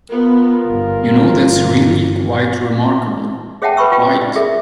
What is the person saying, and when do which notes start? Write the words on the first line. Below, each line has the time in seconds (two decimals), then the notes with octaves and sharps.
You know that’s really quite remarkable — quite.
0.11 B3 F4 A#4
0.66 G1
3.62 G#4 C#5 E5 F#5 G5 A5
3.77 B4 B5 C#6 E6
3.92 F4 G5
4.22 D5
4.35 G#4 A#4 E5